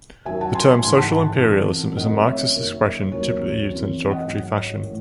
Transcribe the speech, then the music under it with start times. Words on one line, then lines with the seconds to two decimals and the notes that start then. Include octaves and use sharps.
The term "social imperialism" is a Marxist expression, typically used in a derogatory fashion.
0.25 F#2 D#3 F#3 E5 G#5
0.41 F#5 A5
0.54 G#5 C6
0.83 G#1 G#2 E3 G#5 C6
0.97 F#5 A5
1.12 F#5 A5
1.41 F#2 C#3 E3 C4 D#4
1.97 F#2 D#3 A3 C4 D#4 D#5 F#5
2.25 C#5 E5
2.54 F#1 F#2 D#3
3.12 D#2 D#3 F#3 C#4 C#5
3.68 F#2 E3 C4
4.11 D#5 F#5
4.26 G#2 F#3 C#4
4.54 C#5
4.83 A2 E3 G#3